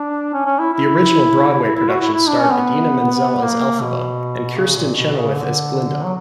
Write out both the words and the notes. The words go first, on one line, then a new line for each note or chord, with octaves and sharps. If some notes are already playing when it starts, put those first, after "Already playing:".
The original Broadway production starred Idina Menzel as Elphaba and Kristin Chenoweth as Glinda.
Already playing: D4
C#4
C#4
E4
E4
E4
E4
E4
F#4
E4
E4
D4
C#4
B3
A#3
B2
C#3
A#2
B2
C#3
D3
F#3